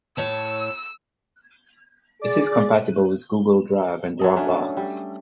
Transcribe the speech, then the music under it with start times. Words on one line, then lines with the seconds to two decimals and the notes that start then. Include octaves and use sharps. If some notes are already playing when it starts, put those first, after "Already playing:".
It is compatible with Google Drive and Dropbox.
0.17 A2 C#5 A5 E6
2.21 G#4 D5
4.19 F#3 A4 D#5
4.36 A3 C#4 D4 A4
4.77 G3